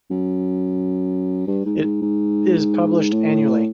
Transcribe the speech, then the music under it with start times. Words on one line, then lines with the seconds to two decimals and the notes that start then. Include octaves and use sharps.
It is published annually.
0.11 F#2
1.47 G2
1.66 G#2
1.84 G#2
2.02 G#2
3.12 A2